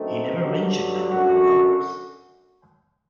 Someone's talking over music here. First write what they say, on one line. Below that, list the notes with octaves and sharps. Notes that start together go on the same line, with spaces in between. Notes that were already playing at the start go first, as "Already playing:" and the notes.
He never mentioned that you were lovers.
Already playing: F#2 D3 A3 C4 D#4
G2 D3 F#3
F#2 D3 F#3 F#4